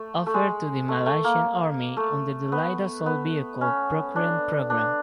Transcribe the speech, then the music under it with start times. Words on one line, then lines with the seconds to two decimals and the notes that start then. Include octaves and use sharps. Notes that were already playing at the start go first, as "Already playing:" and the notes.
Offered to the Malaysian Army under the light assault vehicle procurement program.
Already playing: A3
0.27 A3
0.34 G#3
0.89 A3
1.06 A3
1.24 A#3
1.97 A3
2.52 B3
3.06 B3
3.61 C#4
4.16 D4
4.70 D4